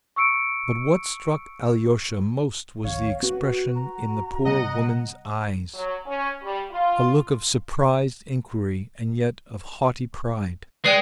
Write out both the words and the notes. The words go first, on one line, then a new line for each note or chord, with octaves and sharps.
But what struck Alyosha most was the expression in the poor woman's eyes--a look of surprised inquiry and yet of haughty pride.
C#6 E6 C#7 D7
A#1 D#2 C#5 F5
C4 F#4 B4
A#5
C3 G3 B3 D#5 F#5
F#3
C#4
G3
F4
G#3 B4 D5 G5 C7